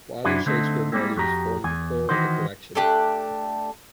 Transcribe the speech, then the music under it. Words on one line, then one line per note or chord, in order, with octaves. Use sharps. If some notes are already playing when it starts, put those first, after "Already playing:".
Wieland's Shakespeare volumes formed the core of the collection.
F#2 D4 E4 F#4 C5 G#5
D3 A3 C4 D#4
G3 G#3 A#3 C4 E4
F2 F#4 G4 A#5
E2 G#5
D#3 E3 D#4 F#4 C5
A3 D4 G4 F#6